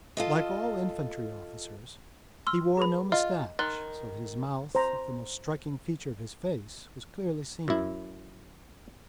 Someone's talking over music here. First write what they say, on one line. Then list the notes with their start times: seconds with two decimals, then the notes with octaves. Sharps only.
Like all infantry officers he wore no mustache, so that his mouth, the most striking feature of his face, was clearly seen.
0.17 F4 A4 D#5
2.47 C6 E6 F6
2.77 G#4 B4 B5
3.12 F4 D#5
3.59 D#3 C6 F#6 A6
4.75 C5 A#5
7.68 F#2 E4